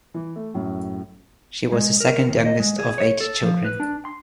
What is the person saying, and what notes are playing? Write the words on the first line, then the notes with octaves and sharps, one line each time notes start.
She was the second youngest of eight children.
E3
A3
F#2 A2
G#3
A#4
D#2
D#5
G#3
G#4
C#5
A4
F3
B4
D4
C6